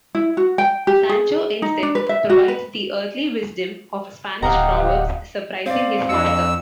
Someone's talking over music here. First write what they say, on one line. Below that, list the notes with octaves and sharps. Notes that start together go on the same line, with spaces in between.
Sancho instead provides the earthly wisdom of Spanish proverbs, surprising his master.
E4
F#4
G5
G4
G#4
D#4
D4
B4
E5
F#4
B4
D1 G4 D#5 F5 F#5 A#5
C4 D5 F5
F2 D4 D#5 E6 C#7